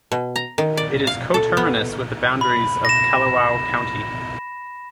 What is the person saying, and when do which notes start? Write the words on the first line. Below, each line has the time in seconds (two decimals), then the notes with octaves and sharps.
It is coterminous with the boundaries of Kalawao County.
0.12 B2
0.36 A#5
0.58 D#3
0.77 D5
1.07 F5
1.34 A4
1.57 B3
2.41 B5
2.85 A#6 E7